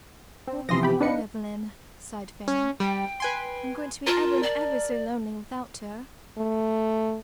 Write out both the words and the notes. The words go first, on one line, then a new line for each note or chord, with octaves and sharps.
"Poor Caroline Evelyn," sighed Fanny, "I'm going to be ever and ever so lonely without her."
C4
C3 E3 F3 C6 D#6 A#6
G4 B5
D4 D#4 B4 D#5 F5 C#7
C#4
G3 G5
B4 G#5 C6
F4 A#4 A5
D5
A3